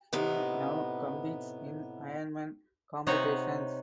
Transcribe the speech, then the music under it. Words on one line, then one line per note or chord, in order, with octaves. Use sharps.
He now competes in Ironman competitions.
A2 C3 B3 D#4
C3 D#4 B4 C#5 F#5